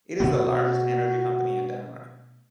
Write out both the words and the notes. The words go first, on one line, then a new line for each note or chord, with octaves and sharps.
It is the largest energy company in Denmark.
B2 A3 B3 F#4